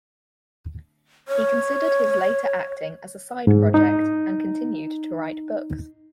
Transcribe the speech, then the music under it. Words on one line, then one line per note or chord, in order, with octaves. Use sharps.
He considered his later acting as a side project and continued to write books.
C#5
G#2
D#4